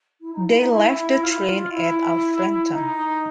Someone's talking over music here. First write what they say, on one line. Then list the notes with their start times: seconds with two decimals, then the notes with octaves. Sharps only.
They left the train at Alfreton.
0.21 E4
0.33 D#4
0.46 E4
0.59 D#4
0.71 E4
1.22 F4
1.33 E4
1.45 F4
1.72 E4
2.72 D#4